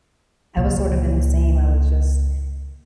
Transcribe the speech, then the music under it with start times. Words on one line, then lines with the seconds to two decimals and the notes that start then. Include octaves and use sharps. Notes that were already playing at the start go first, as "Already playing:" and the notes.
I was sort of in the same, I was just
0.57 C#2 A#2